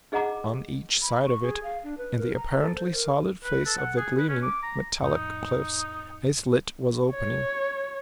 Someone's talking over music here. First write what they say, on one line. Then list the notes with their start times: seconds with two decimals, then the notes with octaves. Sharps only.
On each side of it, in the apparently solid face of the gleaming, metallic cliffs, a slit was opening.
0.12 D#4 G#4 D#5 F#5 A#5 D6
1.02 B5
1.26 C#6
1.42 G#4
1.64 F5
1.84 D4
1.98 B4
2.18 A#4
2.35 A#5
2.60 A4
2.75 C5
2.93 A#4
3.45 B4
3.66 A4
3.78 F#5
3.97 G#4
4.18 B4
4.29 C#4
4.43 D6
4.63 A#5
5.02 F2 A2 D#4 C#7
7.11 C#5